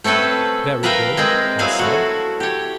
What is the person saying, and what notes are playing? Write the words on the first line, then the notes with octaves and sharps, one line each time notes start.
"Very good," I said.
A3 C4 C#4 A4 B4
A#4 B4 E5 F5 G5 A#5
G#3 C4 A#4 B4
F#3 E4 G#4 F5 G#5
A3 E4 F#4
G4 C#5